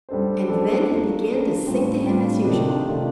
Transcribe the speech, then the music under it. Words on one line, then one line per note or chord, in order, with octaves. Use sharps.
And then he began to sing to him as usual.
G3 D4 A4 C5
G3 D4 A4 C5
A3 D4 F4 A#4
A3 D4 F4 A#4
A2 G3 C4 F4
A2 G3 C4 F4
C3 D#3 A3 D4 F4
C3 D#3 A3 D4 F4